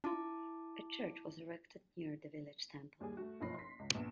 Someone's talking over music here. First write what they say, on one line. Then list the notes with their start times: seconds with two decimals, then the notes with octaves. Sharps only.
A church was erected near the village temple.
0.04 D4 E4 F4 A5 D6
3.00 D#2 G3 G#4 G#5
3.17 A3 F#4
3.40 F#1 B1 F3 B5 A#6 C7
3.54 C6 B6
3.79 C#2
3.95 A#1 B3 E7